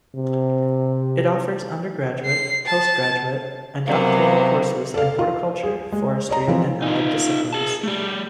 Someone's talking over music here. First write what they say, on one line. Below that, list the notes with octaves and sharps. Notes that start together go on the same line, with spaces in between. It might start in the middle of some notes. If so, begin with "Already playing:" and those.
It offers undergraduate, postgraduate and doctoral courses in horticulture, forestry and allied disciplines.
C3
C7
A5
C3 F#3 A#3 B3 F5
A4 D5 F5
F4
G#4
G#3
C#5 D#5 A#5
E3 F3 C4
D#4 F4
G#4 A5
G3 A3